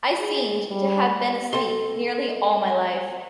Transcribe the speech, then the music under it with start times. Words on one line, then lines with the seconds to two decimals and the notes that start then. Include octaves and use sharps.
I seemed to have been asleep nearly all my life.
0.18 G#4
0.70 G3
1.53 C4 A4 C6